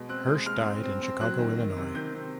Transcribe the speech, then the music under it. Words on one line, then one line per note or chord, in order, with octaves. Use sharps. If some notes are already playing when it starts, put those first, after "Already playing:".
Hirsch died in Chicago, Illinois.
Already playing: B2 G#3
C4 F#6
G#3
G#3 F6
C4
C4
C4
F#3 F#6
D#3
D#3
C3
D#3 G6
C3